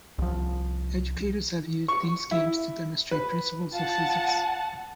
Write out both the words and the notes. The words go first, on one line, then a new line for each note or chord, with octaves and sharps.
Educators have used these games to demonstrate principles of physics.
C2 F3
C#6
E4
B4
F4 F#5 A5